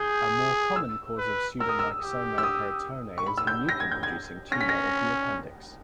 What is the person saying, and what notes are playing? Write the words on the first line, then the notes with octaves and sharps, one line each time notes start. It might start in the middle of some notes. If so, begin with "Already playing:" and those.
A more common cause of pseudomyxoma peritonei is a mucin-producing tumor of the appendix.
Already playing: G#4 G6
E6
B4
A#4 E6
D#6
E6
G4
E6
D#6
C#6
B5
E6
G6
A#6
G#6
G6
G#6
C#4 A#6
B6
A#6